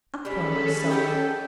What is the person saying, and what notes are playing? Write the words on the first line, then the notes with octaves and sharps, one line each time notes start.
Upon my soul!
G3 G#3 C#4 A4 B5
G4 G#4 F#5 G5